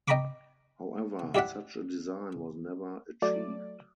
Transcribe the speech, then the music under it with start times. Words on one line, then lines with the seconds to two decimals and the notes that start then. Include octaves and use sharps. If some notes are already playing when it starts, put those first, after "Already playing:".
However, such a design was never achieved.
0.08 D#5 G5 A#5 B5 C#6 D6
1.35 E4 G4 D5 E5 F#5
3.22 F#3 A3 D5